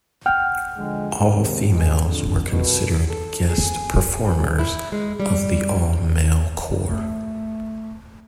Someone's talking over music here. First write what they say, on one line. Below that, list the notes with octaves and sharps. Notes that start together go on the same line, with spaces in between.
All females were considered "guest performers" of the all-male corps.
F#5 G5 F6
D3 F3 G#3
D#2 C3
E3 G#3
F2 D3
C2 F2 B2
A4
G#4
E4
G#3
G3
A3